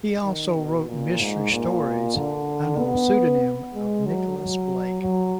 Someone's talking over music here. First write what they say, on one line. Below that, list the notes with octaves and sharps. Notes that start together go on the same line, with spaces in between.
He also wrote mystery stories under the pseudonym of Nicholas Blake.
D#3
B2
A#2
G#2
A#2
D3
B3
G#3
F#3
F#3
F#3